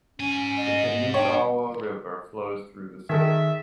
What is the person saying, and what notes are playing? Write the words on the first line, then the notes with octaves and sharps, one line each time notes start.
The Kinugawa River flows through the city.
G#2 C#4 G#5
D#5
D4 C#5 G5
D#3 G#4 A4 E5